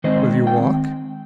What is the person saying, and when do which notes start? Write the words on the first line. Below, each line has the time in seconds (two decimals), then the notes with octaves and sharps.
"Will you walk?"
0.04 D#3 G#3 C4 C5 D#5
0.47 G5